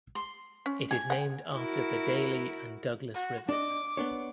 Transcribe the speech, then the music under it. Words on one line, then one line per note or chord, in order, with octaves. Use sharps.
It is named after the Daly and Douglas Rivers.
C6
C#4
G#5
F#5 G5
E4 F#4 A#4
F#4
D4 D#5 D6
B3 D4 C#5